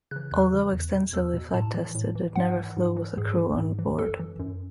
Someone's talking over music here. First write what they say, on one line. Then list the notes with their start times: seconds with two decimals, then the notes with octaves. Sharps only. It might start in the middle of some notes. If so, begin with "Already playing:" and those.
Although extensively flight tested, it never flew with a crew on board.
0.11 C#3 E3 F#6
0.31 E2 F#6
0.53 C#3 E3
0.72 E2
0.93 B2
1.13 E2 E6
1.34 B2
1.54 A2 A5
1.74 E3
1.95 A2
2.15 E3
2.36 G#2 F#5
2.57 E3
2.77 G#2
2.97 E3
3.17 G#2 G#4
3.37 E3
3.58 G#2
3.79 E3
3.99 F#2 A4
4.19 E3
4.39 F#2